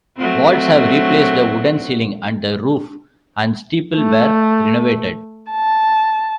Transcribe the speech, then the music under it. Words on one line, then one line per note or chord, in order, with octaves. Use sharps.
Vaults have replaced the wooden ceiling and the roof and steeple were renovated.
F#3 A3 C4
A3
A5